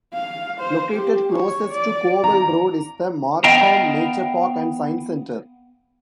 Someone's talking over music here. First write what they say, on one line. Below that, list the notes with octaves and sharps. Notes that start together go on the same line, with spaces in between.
Located closest to Cowell Road is the Markham Nature Park and Science Center.
F5
C5
G4
C#5
D5
A#5
B3 D#5 F5 G5 A#5